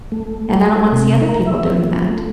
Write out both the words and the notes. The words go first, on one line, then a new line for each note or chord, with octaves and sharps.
and I don't wanna see other people doing that.
A3
A4
C3
A#4
E5
F3
A3